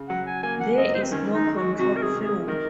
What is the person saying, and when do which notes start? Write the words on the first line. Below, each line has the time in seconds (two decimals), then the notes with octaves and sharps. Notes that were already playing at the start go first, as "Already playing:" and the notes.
There is no control flow.
Already playing: C#3
0.09 F#3 F#5
0.27 G#5
0.43 A#3 G#5
0.60 F#5
0.78 F#2 D#5
0.94 C5
1.03 C4
1.12 D#3 C#4
1.34 D#4
1.45 G#3
1.57 F#4
1.79 C3 F#4
1.96 A#4
2.02 G#4
2.14 C3
2.24 G#4
2.47 D#3 A#4